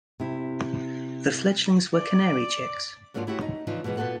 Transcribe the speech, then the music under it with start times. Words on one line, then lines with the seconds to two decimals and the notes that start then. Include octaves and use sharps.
The fledglings were canary chicks.
0.20 C3 E4
1.94 D5
3.14 G#2 F#3 A#3 D4 F4
3.27 A3 E4 F#4 G4 C#5
3.41 D#4
3.67 C#3 E3 F3 D4 D#4 F4
3.84 B2 D3 E3 G#3 B3
3.97 A#2 B3 F#4 A4 F#5